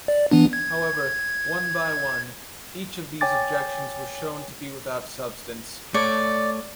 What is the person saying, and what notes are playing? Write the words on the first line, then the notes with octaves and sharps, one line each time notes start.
However, one by one, each of these objections were shown to be without substance.
D5
E3 B3 D4
G#6
C#5 G5 G#5 D6 A6
A3 C#5 D5